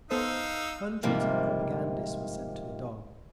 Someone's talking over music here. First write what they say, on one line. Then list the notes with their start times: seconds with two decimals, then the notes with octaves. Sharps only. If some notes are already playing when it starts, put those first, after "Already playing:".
Hundreds of propagandists were sent to the Don.
0.11 B3 D#4 A4 C5 F5 E6
1.03 G#2 C3 D#3 F3 G3 A#3